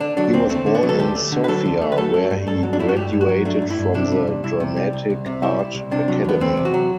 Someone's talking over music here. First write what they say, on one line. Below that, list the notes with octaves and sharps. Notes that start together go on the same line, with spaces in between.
He was born in Sofia, where he graduated from the dramatic art academy.
D3 D4
F#3 D4
D2 C4
A3 C4
D3
B3
F#3
A4
D2 G4
A3
D3
B4
F#3 A4
D2
A3
B4
F#3 A4
A3
G2
G2 A4
F#3
D4
A3 E4
F#4
G2 G4
G2
F#4
F#3
A3 D4
G2
E4
G2
C3 D4
G3
C2
C2 E4
C3
G3
C2
C2
C3
G3 E4
C2
C2
C3 D4
F#3
E2 B3
E2 C4
C3
F#4
F#3